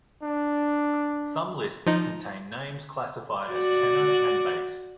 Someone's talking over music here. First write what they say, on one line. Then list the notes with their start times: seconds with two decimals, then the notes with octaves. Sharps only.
Some lists contain names classified as tenor and bass.
0.23 D4
1.87 F3 D#4
3.51 F#4 D5